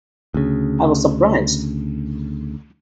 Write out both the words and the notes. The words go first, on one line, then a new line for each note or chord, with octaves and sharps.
I was surprised.
D2 C#3